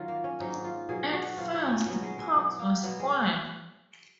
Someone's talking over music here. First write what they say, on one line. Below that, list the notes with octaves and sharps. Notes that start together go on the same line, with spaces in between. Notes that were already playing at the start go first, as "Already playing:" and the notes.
At first, pucks were square.
Already playing: D#3 F#3 D#4 F4
A#3
C#4
G#2 D#3 F#3 D#4
F4
B2 F#3 G#4
F#4
B2 F#3 F4
D#4
C#4
B2 F#3 B3
G#3
G#3
B2 F#3
A#3
B2 F#3 B3
G#3